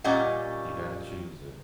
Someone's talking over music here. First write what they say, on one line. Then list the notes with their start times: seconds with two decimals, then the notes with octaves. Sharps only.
You gotta choose it.
0.04 A#2 G3 C#4 D#5 F#5